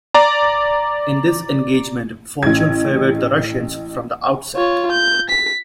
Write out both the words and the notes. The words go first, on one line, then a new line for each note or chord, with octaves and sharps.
In this engagement, fortune favored the Russians from the outset.
D5 A#5
A1 G#6
F4 C#5
G6
B6